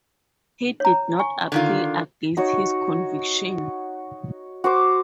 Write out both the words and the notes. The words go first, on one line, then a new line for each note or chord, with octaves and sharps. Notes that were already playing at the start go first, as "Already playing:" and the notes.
He did not appeal against his conviction.
C#5 A#5
G#5 C#6
D3 D#3 F4
D#4 F#4 C#5
F#4 C5 D6